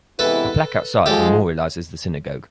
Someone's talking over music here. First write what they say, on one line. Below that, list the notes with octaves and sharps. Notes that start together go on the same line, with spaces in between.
A plaque outside memorializes the synagogue.
C3 E3 G#3 B3 E4 A4 B4
G#2 F3 G#3 G4 A4